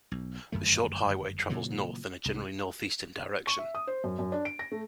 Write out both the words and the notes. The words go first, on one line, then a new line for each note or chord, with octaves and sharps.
The short highway travels north in a generally northeastern direction.
B1
G1 F#2 D#3 A3
A#2 C#3 E3 F#3
C2 G2
C#6
E5
D#6
C5
F#2
F#2
D4
D7
A#6
A3